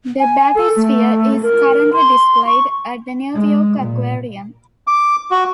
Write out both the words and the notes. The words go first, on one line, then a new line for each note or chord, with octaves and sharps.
The bathysphere is currently displayed at the New York Aquarium.
G#5
A4
A3
A#4
C6
C#6
G#3
A#2
D6
F#4